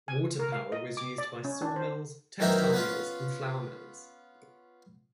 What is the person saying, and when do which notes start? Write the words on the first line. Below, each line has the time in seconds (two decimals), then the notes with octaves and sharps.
Water power was used by sawmills, textile mills, and flour mills.
0.08 G#5
0.39 A#4
0.52 F5
0.72 D#5
0.97 D6
1.18 D5
1.45 C#4
1.62 D4
1.76 C5
2.40 F#2 D#3 E3 C4 A#4 E5
2.73 B3 C#4 F4